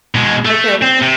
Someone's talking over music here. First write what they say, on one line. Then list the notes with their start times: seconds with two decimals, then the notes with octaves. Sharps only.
Like a b
0.15 B2 G#3
0.45 A3
0.82 C4
1.01 C3